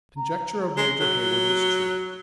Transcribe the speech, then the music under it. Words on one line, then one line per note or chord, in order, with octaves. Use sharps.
The conjecture of Major Heyward was true.
A#5
G#3 G7
F#3